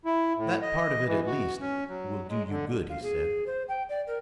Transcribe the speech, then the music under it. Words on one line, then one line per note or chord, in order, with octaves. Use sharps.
"That part of it at least will do you good," he said.
E4
A2
D#5
E3
F#4
C#4
F#3
G#3
D3
F5
G#4
C5
G5
D5
A#4